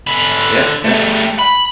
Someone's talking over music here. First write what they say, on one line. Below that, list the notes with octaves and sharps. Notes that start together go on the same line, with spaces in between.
Yeah, yeah.
D3 B5
G3 A3
B5